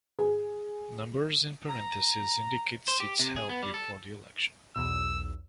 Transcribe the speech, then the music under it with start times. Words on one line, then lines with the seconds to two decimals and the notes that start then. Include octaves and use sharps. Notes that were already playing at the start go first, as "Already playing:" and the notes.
Numbers in parentheses indicate seats held before the election.
0.19 G#4
1.70 A#5
2.88 C5
3.00 G4
3.19 C3
3.36 G#4
3.49 B3
3.63 G3
3.74 A4
4.76 B1 E2 E6